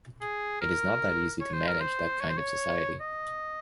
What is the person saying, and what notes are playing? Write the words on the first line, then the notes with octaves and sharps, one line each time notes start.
It is not that easy to manage that kind of society.
G#4
A#4
C#5
C5
A#4
C5
C#5
C5
C#5
D#5